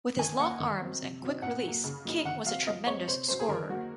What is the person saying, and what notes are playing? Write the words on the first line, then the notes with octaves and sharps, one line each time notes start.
With his long arms and quick release, King was a tremendous scorer.
D#3 G#5
A#3 C#4 F#5
D#3
F#3 C4
C3
F#3 C4 D#4
A#2 F#5
F#3 A#3
C#3
F#3 A#3 D#4
D#3 F#5
F#3 C4 F5
F3 D#5
G#3 C4 C#5
C3 C5
F#3 C#4 C5
G#4
D#3 A#4
F#3 A#3 F#4